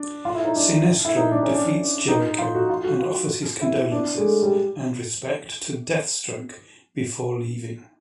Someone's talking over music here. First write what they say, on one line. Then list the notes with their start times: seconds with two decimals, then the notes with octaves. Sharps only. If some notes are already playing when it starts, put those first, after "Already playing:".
Sinestro defeats Jericho and offers his condolences and respect to Deathstroke before leaving.
Already playing: D4
0.25 F4
0.35 E4
0.45 D#4
0.56 D4
1.05 E4
1.16 D#4
1.31 D4
1.43 C#4
1.54 D4
2.08 D#4
2.39 F4
2.55 F#4
2.70 F4
2.84 F#4
3.00 F4
3.61 E4
3.92 D4
4.18 G#3
4.22 A3
4.42 G3